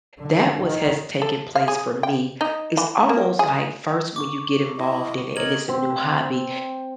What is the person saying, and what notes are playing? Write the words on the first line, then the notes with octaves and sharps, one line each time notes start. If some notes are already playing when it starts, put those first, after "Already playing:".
that was has taken place for me. It's almost like first when you get involved in it and it's a new hobby,
D3
D#3
A4
F5
G#4
G5
D#4
E3
A#3
G#4
C#6 D6
E4 D#5
A#4 C#5 D#5 G#6 F#7
C4